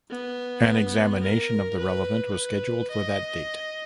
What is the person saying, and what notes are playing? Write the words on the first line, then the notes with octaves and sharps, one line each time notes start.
An examination of the relevant was scheduled for that date.
B3
A#4
B4
B4
D#5